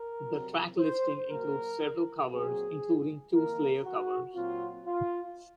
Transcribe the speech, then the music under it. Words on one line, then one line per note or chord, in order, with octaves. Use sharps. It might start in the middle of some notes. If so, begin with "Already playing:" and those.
The track listing includes several covers, including two Slayer covers.
Already playing: A#4
C2 C3 F#3 C4
C5
A#2 F#3 A#3 A#4
A#2 F#3 C4 G#4
F2 D#3 A#3 A#4
F#4
A#2 F#3 C4 F4
F4